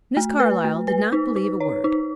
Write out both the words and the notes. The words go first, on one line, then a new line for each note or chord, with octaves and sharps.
Miss Carlyle did not believe a word.
A3
B4
A3
B4
D#4
D#4
C#5
D#4